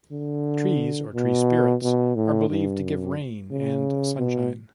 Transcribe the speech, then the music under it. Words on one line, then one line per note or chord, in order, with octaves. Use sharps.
Trees or tree-spirits are believed to give rain and sunshine.
D3
B2
B2
A2
G2
F#2
C#3
B2